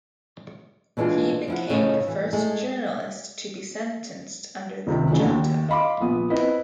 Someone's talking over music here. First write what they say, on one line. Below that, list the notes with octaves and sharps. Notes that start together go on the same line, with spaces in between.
He became the first journalist to be sentenced under the junta.
B2 E3 G#3 D4 F4
F3 E4 F#5
A2 C#3 D#4 F4
E3
G#3 A3 G#4
C#2 C3 D#3
C#3 E3 F#3 A3 D4
D#2
D#5 F5 B5 C6 D6
A#1 B3 D#6
C4 E4 B4 D#5